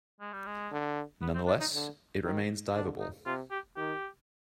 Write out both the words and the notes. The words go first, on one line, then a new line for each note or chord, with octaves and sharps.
Nonetheless, it remains diveable.
G#3
G3
G#3
D3
B3
C4
D4
D#4
D3
D#3
D3 D4
D#4
C3 F4
G4
D#3 G4